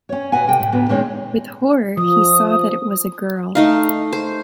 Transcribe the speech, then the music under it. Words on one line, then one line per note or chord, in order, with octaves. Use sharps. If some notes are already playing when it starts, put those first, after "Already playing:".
With horror he saw that it was a girl.
C#4 C#5
B2 B4 F#5 G#5
C3 A4 G5
A2
D2 A2 B3
A#2 D#3 G#3 C4 C#4 C#5
F3 D#6
A3 D#4 F5
C5